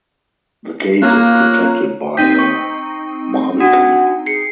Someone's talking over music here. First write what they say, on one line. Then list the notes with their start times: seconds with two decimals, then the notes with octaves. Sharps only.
The gate is protected by a barbican.
1.02 A#3 F4 C#5 F#6
2.17 C4 D#4 G5 G6 B6
2.39 C#6
3.60 D4 F#4 F#5
4.26 G#4 C7 C#7